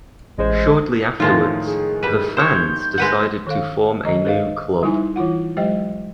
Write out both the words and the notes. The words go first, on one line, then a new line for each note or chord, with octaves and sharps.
Shortly afterwards the fans decided to form a new club.
A1 G#3 C5
A2 D#3 F3 G#3 F4
G#4
G3 B4
C5 C#5 G6
G#3 B4 F#5
D#3 A4 F5
D#3 D#5 A#5
G#4 A4 B4 C5 D#5 F5
G3 D#4 E4 E5 G#5 C6
E3 E4 F4 F#5
F#3 G#3 G4 C5 D#5 G5